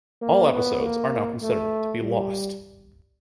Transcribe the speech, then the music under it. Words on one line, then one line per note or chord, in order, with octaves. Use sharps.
All episodes are now considered to be lost.
A#3
B3
A#3
A3
G3